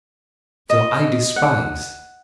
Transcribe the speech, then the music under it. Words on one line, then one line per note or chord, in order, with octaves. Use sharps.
So I despise.
D#5
F#5